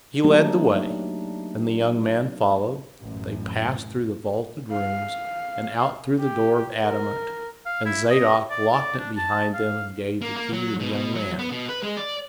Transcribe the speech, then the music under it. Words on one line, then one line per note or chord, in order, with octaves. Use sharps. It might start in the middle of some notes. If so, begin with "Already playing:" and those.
He led the way and the young man followed; they passed through the vaulted rooms and out through the door of adamant, and Zadok locked it behind them and gave the key to the young man.
F#3 A3 A#3 D4 D#4 G4
A1 F#2
F5
G4
A#4
F5
E4
D#5
D5
D5
D4
A5
F5
A#3
A#3
F#3
B2
B2
F#3
B3
B2
B4
G#3
D5